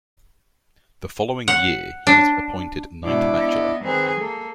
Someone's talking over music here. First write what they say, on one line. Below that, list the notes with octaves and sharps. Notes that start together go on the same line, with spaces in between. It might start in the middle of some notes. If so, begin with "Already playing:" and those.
The following year he was appointed Knight Bachelor.
F#5
D4
G#2 B2 D4 E4 D6
B3 D#5
D#3 C4 G#4 B4
A#3 A4